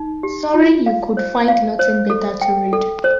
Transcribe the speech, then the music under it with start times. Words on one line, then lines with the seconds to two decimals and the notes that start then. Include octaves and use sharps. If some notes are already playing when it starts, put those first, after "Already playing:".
Sorry you could find nothing better to read.
Already playing: D#4
0.23 G4
0.54 F4
0.86 F5
1.17 C5
1.48 F5
1.79 C5
2.10 A4
2.41 G5
2.73 A4
3.04 C5